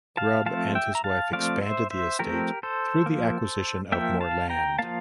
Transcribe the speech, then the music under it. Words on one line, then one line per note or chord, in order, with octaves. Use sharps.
Grubbe and his wife expanded the estate through the acquisition of more land.
F5 A5
F3 A3 C4 F5 A5
E5 G5
A#5
F5 A5
F3 A3 C4 D5 F5
C5 E5
C5 E5
F3 A3 C4 G4 A#4
A4 C5
F3 A#3
F3 A#3 E5 G5
F5 A5
G5 A#5
F3 A#3 F5 A5